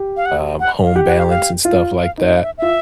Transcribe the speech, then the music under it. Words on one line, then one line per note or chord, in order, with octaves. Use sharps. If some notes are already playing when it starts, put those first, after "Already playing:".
um, home balance, and stuff like that.
Already playing: G4
F5
F#5
F#5
F5
G4 F#5
F#5
F5
F5
F4
F5
D#4
F5
E5
F4 E5